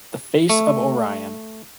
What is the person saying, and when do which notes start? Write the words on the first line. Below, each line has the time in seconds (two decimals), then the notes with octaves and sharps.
The face of Orion.
0.49 A3